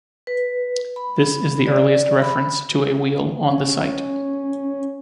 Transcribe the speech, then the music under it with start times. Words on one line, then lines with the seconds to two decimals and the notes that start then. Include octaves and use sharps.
This is the earliest reference to a wheel on the site.
0.27 B4
0.96 B5
1.67 D5
2.22 B5
3.50 C#4